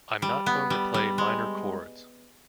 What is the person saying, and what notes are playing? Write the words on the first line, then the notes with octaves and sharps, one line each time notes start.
'I'm not going to play minor chords.
G3
B3
G3
G3
G#3